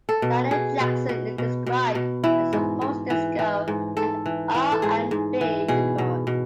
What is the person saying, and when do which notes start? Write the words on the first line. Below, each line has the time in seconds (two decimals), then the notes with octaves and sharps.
"Janet Jackson" is described as a post-disco and R and B record.
0.09 A4
0.22 B2
0.51 B2 G#4
0.80 B2
1.09 B2
1.38 B2
1.66 B2
1.95 B2
2.24 E3 E4
2.53 G#2
2.81 G#2
3.10 E3
3.39 E3
3.68 G#2
3.97 G#2 A4
4.26 E3
4.54 E3
4.72 A4
4.82 G#2 G#4
5.11 G#2
5.41 E3
5.68 B2 G#4
5.98 B2
6.27 B2